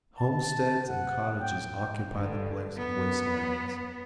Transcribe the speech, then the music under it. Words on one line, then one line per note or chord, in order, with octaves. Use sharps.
Homesteads and cottages occupy the place of waste lands.
A5
F#5
G5
G2 D3
F#2 B3